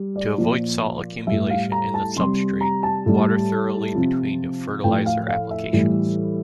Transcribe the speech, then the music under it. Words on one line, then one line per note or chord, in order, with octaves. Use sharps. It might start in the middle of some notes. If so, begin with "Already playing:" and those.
To avoid salt accumulation in the substrate, water thoroughly between fertilizer applications.
Already playing: G3
D5
A#2 F3 D5
A2 G3 E5
F5
A#5
A5
C3 G3 C6
A#5
A5
A2 G3
C3 F3
A2 F3 G5
F5
F5
E5
A2 E3 G3